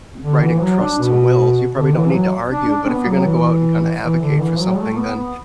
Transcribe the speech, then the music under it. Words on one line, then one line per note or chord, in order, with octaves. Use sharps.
writing trusts and wills, you probably don't need to argue, but if you're gonna go out and kinda advocate for something, then
D3
E3
F#3
D4
B2
D3
E3
F#3
D4
D4
B3
F#3
E3
E3
D3
E3
F#3
A3
B3
B3